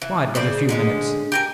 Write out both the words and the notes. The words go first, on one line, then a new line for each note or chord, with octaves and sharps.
Bide but a few minutes.
E3
C#3 C5 D5
D3 G#3 C#4
G4 A#4 G#5